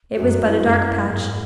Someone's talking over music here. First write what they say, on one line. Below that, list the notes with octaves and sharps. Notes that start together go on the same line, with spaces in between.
It was but a dark patch.
F#2 F#4
E4
F#2
E4
G#2 G#4